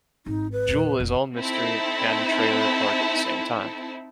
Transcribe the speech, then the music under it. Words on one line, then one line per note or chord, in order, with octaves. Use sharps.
Jewel is all mystery and trailer park at the same time.
G#1 D#4
B4
E2 A#2
F1 D#3
C4 D#4 E4 A4